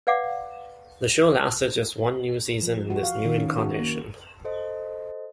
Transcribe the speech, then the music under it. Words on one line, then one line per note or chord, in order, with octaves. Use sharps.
The show lasted just one season in this new incarnation.
B4 D5 F5 F#5 D6
F3
F#4
F5
D#3
C#4
F#4
A#3
A4 C5 D#5